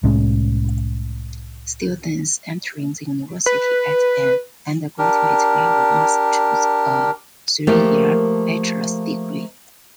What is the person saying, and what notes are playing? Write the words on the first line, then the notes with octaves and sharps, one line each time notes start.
Students entering the University at an undergraduate level must choose a three-year bachelor's degree.
C2 A2 G#3 C#4
B4
D4 G4 A#4
F3 A3 A#3 G4 A#4